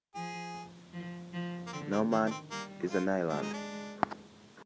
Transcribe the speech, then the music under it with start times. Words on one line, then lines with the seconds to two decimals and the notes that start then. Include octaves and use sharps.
No man is an island.
0.15 F3 G#4
0.93 F3
1.33 F3
1.67 A#3
1.72 D3 C4
1.92 C4
2.11 D#3 A#3
2.26 D4
2.31 C4
2.50 G3 A#3
2.90 F4
3.29 G#3 D4
3.42 D#4
3.53 D4